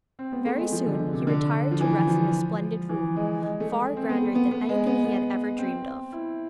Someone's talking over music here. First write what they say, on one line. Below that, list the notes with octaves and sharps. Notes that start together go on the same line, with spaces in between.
Very soon he retired to rest in a splendid room, far grander than anything he had ever dreamed of.
C4
B3
A3
G#3
F3
D3
D3
C3
D3
F3
E3
F3
E3
G#3
G#3
A3
G#3
C4
B3
A3
B3
B3
G#3
B3
B3
C4
E4